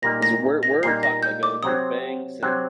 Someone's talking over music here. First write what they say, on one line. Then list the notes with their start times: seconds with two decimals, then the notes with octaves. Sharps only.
because we're we're talking about going through banks and
0.02 A#2 G3 A#3 D#4 A#6
0.22 A#6
0.63 A#6
0.82 A#2 G3 A#3 D#4 C7
1.03 A#6
1.23 G6
1.43 D6
1.63 C3 F#3 C4 D#6
2.42 C3 F#3 C4 F#6